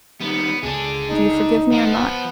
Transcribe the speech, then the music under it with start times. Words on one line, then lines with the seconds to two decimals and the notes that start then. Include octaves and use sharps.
Do you forgive me or not?
0.21 D#3 G3 B3
0.63 C#2 D3 D4 G#4
1.10 D#4
1.72 F3 B3